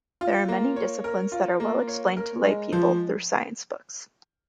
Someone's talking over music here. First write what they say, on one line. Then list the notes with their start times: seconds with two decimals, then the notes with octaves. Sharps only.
There are many disciplines that are well explained to lay people through science books.
0.21 F4
0.49 A#3
0.76 C#5
1.04 A#4
1.32 F4
1.60 A#3
1.88 C#5
2.17 A#4
2.45 G#3
2.73 F3